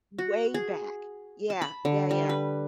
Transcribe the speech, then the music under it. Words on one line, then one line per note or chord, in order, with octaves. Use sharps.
Way back. Yeah. Yeah, yeah.
F#4
G#4
A5
B5
D3
G3
B4